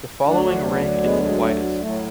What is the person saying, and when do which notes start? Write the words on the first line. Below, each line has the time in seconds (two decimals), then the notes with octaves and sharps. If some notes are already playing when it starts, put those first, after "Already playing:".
The following ring is the widest.
0.25 D2 D3 F#3 D4 F#4
0.44 D4 F#4
0.64 B3 D4
1.03 G#3 B3
1.23 G#3
1.42 A3
1.81 A2 F#3 A3